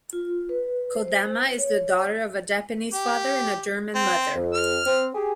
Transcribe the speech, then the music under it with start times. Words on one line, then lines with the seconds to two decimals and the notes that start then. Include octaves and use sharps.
Kodama is the daughter of a Japanese father and a German mother.
0.13 F4
0.49 B4
0.94 C5
1.58 C#5
2.94 G4
3.95 C4
4.35 F2
4.54 F6
4.85 C4
5.15 G4 G#4